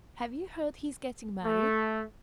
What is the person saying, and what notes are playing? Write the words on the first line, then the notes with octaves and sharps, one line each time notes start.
Have you heard he is getting married?
A3